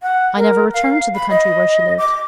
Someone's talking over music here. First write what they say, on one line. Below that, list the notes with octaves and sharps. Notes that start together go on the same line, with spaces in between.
"I never returned to the country where she lived."
F#5
A#4
F5
B5
D#5
D6